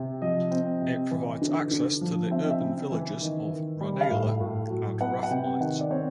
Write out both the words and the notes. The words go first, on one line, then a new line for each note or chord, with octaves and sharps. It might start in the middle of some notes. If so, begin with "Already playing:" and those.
It provides access to the urban villages of Ranelagh and Rathmines.
Already playing: C3 C4
F3 D#5
C4
C3
E3
D3
D3
F3
C4 E5
D#5
E5
C#3
E3
D#3
D#3
G3
F5
A2 E5
A2
F#3
B3 F#5
F#5
C3 G5
D#3 F#5
D5
C4 C#5